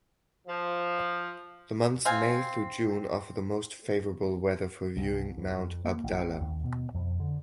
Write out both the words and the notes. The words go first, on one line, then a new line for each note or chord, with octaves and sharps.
The months May through June offer the most favorable weather for viewing Mount Abdallah.
F3
C4 F5 G#5
C2
E2
F2
A#3
A1
D#2
B2
F2
D3